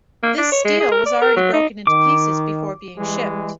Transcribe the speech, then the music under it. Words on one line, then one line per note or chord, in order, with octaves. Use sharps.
This stele was already broken into pieces before being shipped.
A#3
D4
C#5
G#3
G#4
A#4
D5
A#4
F#3
D#4
D#3 D6
E3 G3 G#3